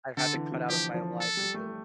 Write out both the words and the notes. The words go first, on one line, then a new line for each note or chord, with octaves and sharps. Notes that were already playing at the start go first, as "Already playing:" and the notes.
I had to cut out of my life who do
D3 A4
E3
E3
F3 G4
F3
A4
G3
A3